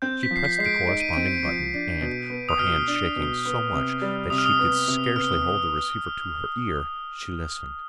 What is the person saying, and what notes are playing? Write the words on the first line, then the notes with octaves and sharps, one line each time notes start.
She pressed the corresponding button, and, her hand shaking so much that she could scarcely hold the receiver to her ear, she listened.
C4 G6
B6
F3
C7
B6
G#3 C7
D7
D#4 D7
D#7
C4 D7
F3
D4
B2
B3
D#6
B2 F6
D4
B2
B3
C3
G3
C3 D#6
F6
D#6
B3
C3
B3 F6